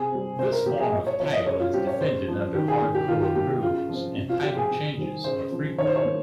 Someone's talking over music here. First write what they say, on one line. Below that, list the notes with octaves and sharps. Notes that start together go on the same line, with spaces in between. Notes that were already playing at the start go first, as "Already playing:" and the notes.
This form of title is defended under hardcore rules, and title changes are frequent.
Already playing: C3 G#4
G3 C4
C3 C5
A#4
F3 A#3 G4
G#4
A#2 D#5
C#5
F3 C4 C#5
D#5
C#3 C#5
F4
G3 C4 G4
C#5
C#3 C5
F3 C4
D#3 G4
G#4
A#3
G4
D#3 F4
G4
A#3 G4
G4
C#3 F4
F3 C4
C3
F4
F3 C4 G4
G#4
C3
D#3 G3 C4
C#3 C5
F3 C4
D#3 C#5
C5
C#5
A#3